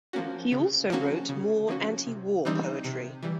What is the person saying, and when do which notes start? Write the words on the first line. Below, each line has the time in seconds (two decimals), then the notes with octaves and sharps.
He also wrote more anti-war poetry.
0.13 F3 A#3 C#4 F#4
0.52 C#3
0.90 F3 A#3 C#4 F#4
1.29 C#3
1.68 F3 A#3 C#4 F#4
2.06 C3
2.45 E3 G3 C4 D#4
2.84 C3
3.23 E3 G3